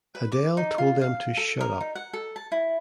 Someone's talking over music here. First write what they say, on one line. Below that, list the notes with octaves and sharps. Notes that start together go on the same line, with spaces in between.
Adele told them to "Shut up".
B4
D6
D#4
F4
F5
A4
A#4
D#4
F#5
A4
A5
E4